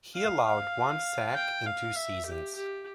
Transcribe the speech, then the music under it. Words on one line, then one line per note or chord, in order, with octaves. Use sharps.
He allowed one sack in two seasons.
F5
F5
G5
F5
E5
G4
G4